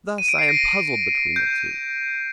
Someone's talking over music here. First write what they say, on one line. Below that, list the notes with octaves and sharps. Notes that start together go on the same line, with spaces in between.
Thus I am puzzled between the two.
D#7
D7
C7
A#6
G6